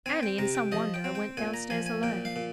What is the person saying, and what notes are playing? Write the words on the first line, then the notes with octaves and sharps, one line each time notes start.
Annie, in some wonder, went downstairs alone.
C4 G#5
G5
C3 A#5
G5
F3 D#5
G5
C4
G5
A#2 G#5
A#5
F3 G#5
G#5
A#2 G5
F5
A#2